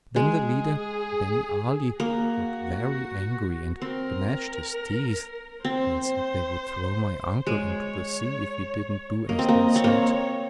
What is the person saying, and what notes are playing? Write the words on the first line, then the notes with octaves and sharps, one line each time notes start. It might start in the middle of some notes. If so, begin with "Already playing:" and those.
Then the leader, Ben Ali, got very angry and gnashed his teeth, and said they would throw my uncle into the sea if he didn't do as they said.
G#3 G#4
A#3 F#4
C4 A#4
C4 C5
G#3 C#5
A#3 D#5
C4
A#3
C4 C#5
A#3